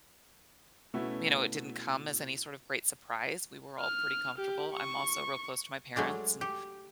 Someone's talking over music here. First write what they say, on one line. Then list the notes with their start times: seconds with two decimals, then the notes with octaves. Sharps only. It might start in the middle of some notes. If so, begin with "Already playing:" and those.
you know, it didn't come as any sort of great surprise, we were all pretty comfortable. I'm also real close to my parents, and,
0.94 B2 A3 C#4 E4 F#4 B4
3.80 F6
4.38 G4
4.75 C#6
5.96 F#3 G#3 A3 D4
6.41 G4